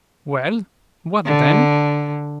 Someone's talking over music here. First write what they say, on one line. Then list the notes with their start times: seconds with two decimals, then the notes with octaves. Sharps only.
"Well, what then?"
1.26 D3